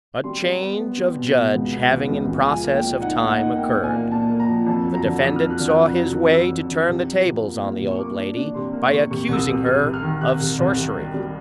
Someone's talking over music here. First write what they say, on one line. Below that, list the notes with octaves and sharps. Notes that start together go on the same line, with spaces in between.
A change of judge having in process of time occurred, the defendant saw his way to turn the tables on the old lady by accusing her of sorcery.
G3 C6
G3
B3
B3
G3
B2
B3
C#2
B3
C#2
C#2
C#2
F3 G#5
A#3
G5
A#2
D#4 F#5
A#3
F#5
D#4
A#3 G5
A#2
G#5
A#3
A#2 A5
A#3
A#5
F3
F2 A5
F#3
A#5
D3
F2 D#6
F6
F#3
F#6
D3 F6
F#6
F2
F#3
F2
F2 E6
F2
D3
C3
F3
C3
A#3
A#3
C3
C#6
A#3 D6
D4
D4
C3 C6
A#3
C#6
C3
C3 C#6
C2 E6
D#6
C3
C3 D#6
C3
F6
D#3
C3 F#6
C3
C2
C3
G3
G3